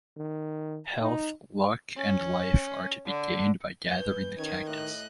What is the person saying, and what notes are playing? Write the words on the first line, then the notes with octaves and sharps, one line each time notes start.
Health, luck, and life are to be gained by gathering the cactus.
D#3
D#4
C#4
D3
G#4 B4 C#6 G6
D#3 C#4 G#6
A2 D#5 F#6